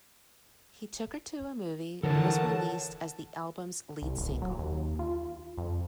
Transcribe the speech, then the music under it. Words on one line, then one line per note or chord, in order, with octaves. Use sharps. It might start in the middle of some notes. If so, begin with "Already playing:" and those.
"He Took Her to a Movie" was released as the album's lead single.
D3 E3 A4 A#4 C#5 F#5 A5
C2
D1
F#3
D#2
F4
F2